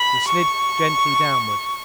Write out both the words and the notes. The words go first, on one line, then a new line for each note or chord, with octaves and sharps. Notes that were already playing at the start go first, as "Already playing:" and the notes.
We slid gently downward.
Already playing: B5
C#6